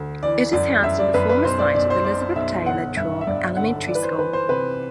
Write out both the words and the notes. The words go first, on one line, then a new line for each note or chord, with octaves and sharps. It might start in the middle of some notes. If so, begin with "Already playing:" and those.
It is housed in the former site of Elizabeth Taylor Traub Elementary School.
Already playing: D2
E3 D5
F#2 D5
F#2 E5
D5
F#2 B4
B4
B1 C5
D5
B1 D5
C5
B2 D5
B1 E5
G1 F#5
G2 E5
E5
G2 D5
D3 F#5
E3 D5
B4
C5
E3 B4
C5
C3 B4